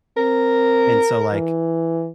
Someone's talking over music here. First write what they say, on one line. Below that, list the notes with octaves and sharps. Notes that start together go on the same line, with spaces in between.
and so, like,
C4 A#4
E3